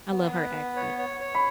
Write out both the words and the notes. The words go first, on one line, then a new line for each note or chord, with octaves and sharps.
I love her accent.
B3
B4
B3
C#5
C#5
C#5
B5